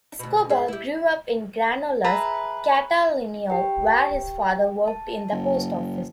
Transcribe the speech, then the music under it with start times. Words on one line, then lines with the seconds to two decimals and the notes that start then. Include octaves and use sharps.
Escobar grew up in Granollers, Catalonia, where his father worked in the post office.
0.19 D2 B2
0.49 G#2 G#4 E5
0.68 E4 G4
2.04 G#4 B4 E5 A#5
3.50 G4 B4 G5
4.88 A5
5.31 F#1